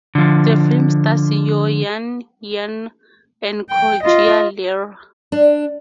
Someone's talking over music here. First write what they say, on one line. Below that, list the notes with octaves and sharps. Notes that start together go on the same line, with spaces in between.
The film stars Yeo Yann Yann and Koh Jia Ler.
D3 F3
G5
F4 D#5
D4